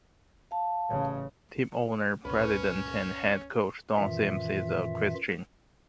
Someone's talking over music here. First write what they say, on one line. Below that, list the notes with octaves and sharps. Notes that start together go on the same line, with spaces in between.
Team owner, president and head coach Don Sims is a Christian.
F5 A5
A1 C#3
C#2 G2 A#2 C#4 B4
F#2 A#2 D#3 E3 F4 E5